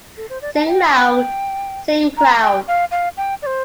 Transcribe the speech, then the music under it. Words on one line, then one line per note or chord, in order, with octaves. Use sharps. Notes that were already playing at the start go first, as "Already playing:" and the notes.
Sing Loud, Sing Proud!
A4
C5
D5
A5
G5
G5
A#5
G5
F5
F5
G5
D5
C5